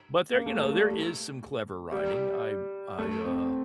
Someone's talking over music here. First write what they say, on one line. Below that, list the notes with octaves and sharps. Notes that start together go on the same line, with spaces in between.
but there you know, there is some clever writing, I I, uh
A#3
A3
A3
G3
G3
A3
C4